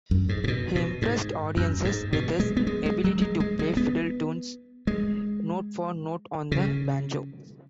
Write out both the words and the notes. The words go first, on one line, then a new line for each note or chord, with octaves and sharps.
He impressed audiences with his ability to play fiddle tunes note-for-note on the banjo.
F#2
G#2
G#2
B2
B2
G#2
F#2
G#2
B2
G#3
B3
G#3
G#3
F#3
G#3
G#3
G#3
B3
G#3
C#3